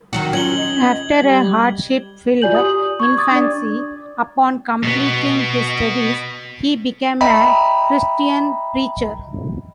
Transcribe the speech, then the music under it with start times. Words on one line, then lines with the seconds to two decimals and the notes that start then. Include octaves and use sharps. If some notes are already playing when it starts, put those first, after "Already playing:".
After a hardship-filled infancy, upon completing his studies, he became a Christian preacher.
0.13 D#3 F#3 F#4
0.33 C#4 F4 G#6 F#7 G7
0.57 D#5
1.21 G3
2.42 F4 F#4 D5 G#5 G6 F#7
2.55 G4 D#6
3.00 C#6 G#6
3.17 D6 D#6 G#6 A6
3.31 D4 D5
4.83 B2 B3
7.21 D#5 E5 G5 A#5 B5